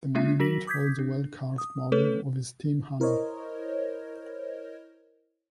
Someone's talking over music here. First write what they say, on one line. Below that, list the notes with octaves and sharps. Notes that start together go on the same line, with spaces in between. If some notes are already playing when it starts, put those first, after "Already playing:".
The monument holds a well-carved model of his steam hammer.
G#3 A#3 C#4 D4 F4 E5
F#3 F#4 A#4 A#6 B6 F#7
D6 D#6 G6 G#6 B6
D4
D#6
A3 C#4 A4 B4 C#5
E4 A#4 C5 C#5 D#5